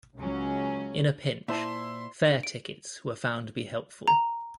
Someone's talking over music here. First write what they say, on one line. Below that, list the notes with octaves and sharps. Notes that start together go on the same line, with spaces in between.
In a pinch, "fare tickets" were found to be helpful.
C#2 F#3 C#4
A#2 E4 C5 A5 C6
D7
A#5